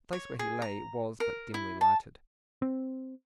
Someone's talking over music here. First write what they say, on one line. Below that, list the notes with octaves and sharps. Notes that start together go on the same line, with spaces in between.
The place where he lay was but dimly lighted.
C#5
G#4
A#5
A#4
E4
A5
C4